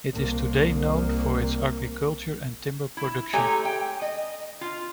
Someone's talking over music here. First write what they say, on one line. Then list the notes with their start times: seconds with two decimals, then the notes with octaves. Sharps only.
It is today known for its agriculture and timber production.
0.12 C2 A#3
2.97 E4
3.33 G#3 A3 G4 C#5 G#5 A#5
3.65 G5
4.02 D#5
4.61 F4